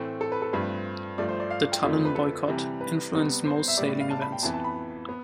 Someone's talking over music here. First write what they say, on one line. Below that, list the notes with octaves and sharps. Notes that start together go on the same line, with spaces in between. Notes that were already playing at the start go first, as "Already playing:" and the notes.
The Tallinn boycott influenced most sailing events.
Already playing: A2 E3 A3 C4
A4
B4
A4
G2 F3 A3 C4 B4
G2 F3 A3 D5
C5
D5
F5
G5
F2 D3 F3 A3 D5
B4
A4
C3 E3 G3
B4
C3 G3 B3
C5
C5
E5
A2 G3 B3 D5
D5
F5
A5
B5
G5
F2 E3 B3 A5
A5
B5
B3